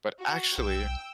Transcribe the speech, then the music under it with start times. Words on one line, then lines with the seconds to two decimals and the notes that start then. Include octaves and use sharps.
But, actually
0.20 F#4
0.58 B1 G5 E6